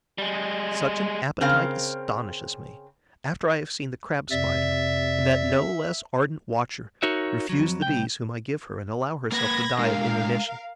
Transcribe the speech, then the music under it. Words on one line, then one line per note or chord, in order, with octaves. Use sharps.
Such an appetite astonishes me, after I have seen the Crab Spider, that no less ardent watcher, refuse the Bees whom I give her and allow herself to die of inanition.
G3 G#3
C#3 C4 A#4 C5 F5
F2 C3 D5 E5
D#4 F#4 A#4 C#5 E5
F2 F#3
C2 G5
A#3 B4 B5 G#6 A#6
G#3 D4 A#4 F5